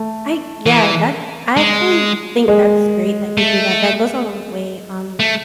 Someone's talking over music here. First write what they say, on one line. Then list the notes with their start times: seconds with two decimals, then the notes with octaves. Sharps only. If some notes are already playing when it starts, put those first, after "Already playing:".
I yeah. That I actually think that's great that you do that, that goes a long way. Um,
Already playing: A3
0.66 E3
1.57 G#3
2.48 G#3
3.38 A3
5.20 A3